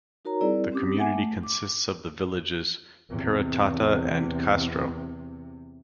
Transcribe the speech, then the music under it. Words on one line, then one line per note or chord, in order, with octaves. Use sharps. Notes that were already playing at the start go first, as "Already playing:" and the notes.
The community consists of the villages Peratata and Kastro.
D#4 F#4 A#4 C#5 A#5
G3 C4 E4 G#4 A#4 D5
C4 C#4 G4 D6 D#6
B3 E5 F#5 G#5 D6
A3
D6
E2 C3